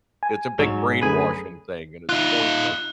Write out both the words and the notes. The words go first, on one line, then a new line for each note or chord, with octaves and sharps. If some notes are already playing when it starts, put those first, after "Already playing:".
it's a big brainwashing thing, and it's pointless.
G#5
G#2 F#3 E7
F#2 D3 A3 G#4 B4
D#4 F4 F#6